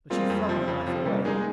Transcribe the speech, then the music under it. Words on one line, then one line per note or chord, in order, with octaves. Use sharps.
But she flung the knife away.
G3 G#3 A#3 C4 F4
F2
C3 F3
F2
C3 F3
C#3 G3 A#3
G3 G#3 A#3 D#4 G#4